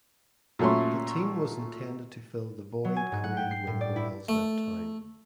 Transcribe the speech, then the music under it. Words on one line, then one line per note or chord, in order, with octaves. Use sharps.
The team was intended to fill the void created when the Royals left town.
A#2 F#3 A3 C#4 C6
F#3
G#5
G#2
F#5
G5
C7
A2
D5
E4
A3